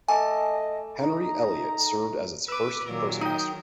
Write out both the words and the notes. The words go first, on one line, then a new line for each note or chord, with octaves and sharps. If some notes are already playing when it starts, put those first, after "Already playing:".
Henry Elliott served as its first Postmaster.
A3 D#5 G#5 A5 D6
D#4 A#5
B4 D6 E6
A#2 D#3 F#3 A#4
D#4 G5 D#6